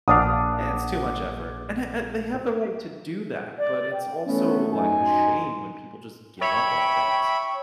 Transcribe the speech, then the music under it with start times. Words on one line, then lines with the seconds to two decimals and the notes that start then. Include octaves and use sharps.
"it's too much effort," and a and they have the right to do that, but it's also, like, a shame when people just give up on things.
0.08 A#1 D4 F5 F#5 D6 D#6
3.58 D5
3.93 G5
4.27 E3 A3 B3 C#4
4.74 F#2 D#4 G#5
5.05 C6
6.41 C#5 E5 G5 B5